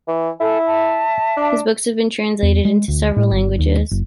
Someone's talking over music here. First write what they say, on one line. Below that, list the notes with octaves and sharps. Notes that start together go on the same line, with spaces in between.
His books have been translated into several languages.
E3
E4 A4 G#5
E5 A5
D4
E2
G#3
D2
A2
G1
D#2
F#1